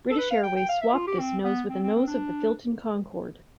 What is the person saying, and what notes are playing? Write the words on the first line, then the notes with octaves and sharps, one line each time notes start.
British Airways swapped this nose with the nose of the Filton Concorde.
A4
B4
F5
G5
G5
F5
E5
F4
G4
C4
B3
C4
C4
C4
D4